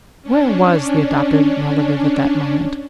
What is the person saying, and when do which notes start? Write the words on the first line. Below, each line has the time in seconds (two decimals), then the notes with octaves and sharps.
Where was the adopted relative at that moment?
0.23 C#4 D4